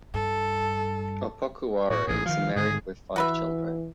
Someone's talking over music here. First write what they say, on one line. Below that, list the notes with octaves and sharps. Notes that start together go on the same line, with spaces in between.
Opoku Ware is married with five children.
G2 A4
A2 F#4
A1 G#2 G#4
D#3 F3 F5
G#2 D3 D#3 G#4
E3 F#4 B4 E5